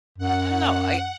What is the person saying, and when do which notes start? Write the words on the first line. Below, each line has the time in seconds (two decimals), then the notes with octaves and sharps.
I don't know, I
0.18 F#2 F#5